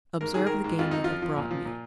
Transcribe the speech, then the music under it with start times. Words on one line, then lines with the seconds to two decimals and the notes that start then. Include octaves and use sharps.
Observe the game you have brought me!
0.21 G#2 A#4
0.34 D#3 G#4
0.47 D#3 A#4
0.64 G#2
0.79 F2 F4
0.91 F2 D#4
1.04 F3 F4
1.22 F3
1.36 A#2
1.51 F3
1.65 A#2